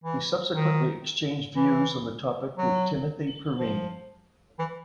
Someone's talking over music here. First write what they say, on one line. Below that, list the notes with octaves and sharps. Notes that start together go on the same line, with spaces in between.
He subsequently exchanged views on the topic with Timothy Perrine.
E3
D#3
E3
F#3
F3
E3